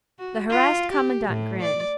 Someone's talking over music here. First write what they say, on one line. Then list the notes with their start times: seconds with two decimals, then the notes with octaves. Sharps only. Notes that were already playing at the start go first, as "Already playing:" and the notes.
The harassed commandant grinned.
0.19 F#4
0.50 F4
0.91 G4
1.27 A2
1.62 D5